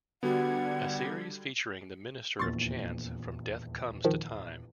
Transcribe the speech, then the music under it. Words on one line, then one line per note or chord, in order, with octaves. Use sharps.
A series featuring the Minister of Chance from "Death Comes to Time".
D3 G3 B3 F#4 F#5 G#6
D#1 A#1 E2 C6 C#6 A6
D#3 F3